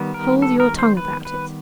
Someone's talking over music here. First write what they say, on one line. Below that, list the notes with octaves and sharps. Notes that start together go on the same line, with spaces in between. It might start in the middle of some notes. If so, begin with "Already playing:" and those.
Hold your tongue about it.
Already playing: D#3 G3 B3
A#4
A4
A#4
C5
B4
B4